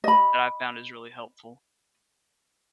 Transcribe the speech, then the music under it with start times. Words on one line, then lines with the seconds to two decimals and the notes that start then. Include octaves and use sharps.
that I found is really helpful.
0.04 D#5 B5